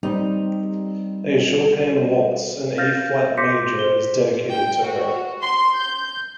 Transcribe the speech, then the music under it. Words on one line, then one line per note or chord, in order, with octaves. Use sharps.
A Chopin Waltz in A-flat major is dedicated to her.
G3 C4 D#4
F5 F6 G6 A6 A#6
C6 D6 G6 A#6 B6 C#7
C5 G7
G5
F#4
C6
G6